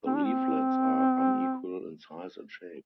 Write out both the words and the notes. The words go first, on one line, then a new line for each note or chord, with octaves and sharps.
The leaflets are unequal in size and shape.
C4
D4
C4